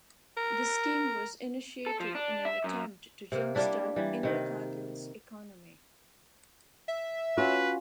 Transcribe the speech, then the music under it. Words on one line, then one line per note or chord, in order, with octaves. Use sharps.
The scheme was initiated in an attempt to jumpstart Invercargill's economy.
A#4
A4
F3
D4
E5
F#2
C3 A#3
G3 A#3 D4 E4
E3 G3
C3 D#3
E5
C#4 F4 F#4 B4